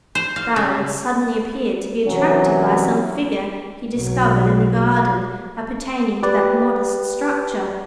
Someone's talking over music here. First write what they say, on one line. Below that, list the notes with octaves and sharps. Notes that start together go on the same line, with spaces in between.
Barold suddenly appeared to be attracted by some figure he discovered in the garden appertaining to that modest structure.
C5
F5
C#3
C2 E3 F#3 C#4
B1 F#3
G4 B4 D5